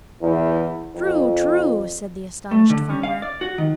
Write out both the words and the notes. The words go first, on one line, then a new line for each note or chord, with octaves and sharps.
"True, true!" said the astonished farmer.
E2
F2
A3
D3
C#4
F5
D5
F#4
D#3